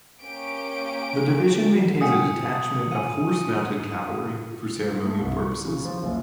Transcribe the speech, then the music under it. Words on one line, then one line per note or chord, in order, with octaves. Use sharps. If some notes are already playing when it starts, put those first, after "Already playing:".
The division maintains a detachment of horse-mounted cavalry for ceremonial purposes.
A#3 C#4 G4 D7
C#4 G4 F#5 D#6 C#7
F#5 G#5 D#7
A3
C2
C#6
C#3
F3
F#1